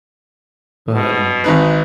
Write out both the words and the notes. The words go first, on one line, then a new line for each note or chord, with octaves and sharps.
But, um,
B2
G#1 D#4 B4